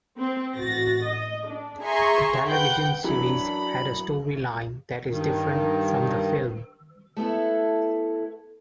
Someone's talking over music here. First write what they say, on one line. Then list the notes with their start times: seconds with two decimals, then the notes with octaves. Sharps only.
The television series had a storyline that is different from the film.
0.19 C4
0.55 A1 F#4 A6 A#6
1.05 D#5
1.48 D4
1.82 G#4 E5 G#5 A#5 C6 C#6
2.44 B4 F#5 G5 G6
3.04 F#2 E3 F#3 D4 B5
5.10 G2 D#3
7.17 A3 B3 E4 A4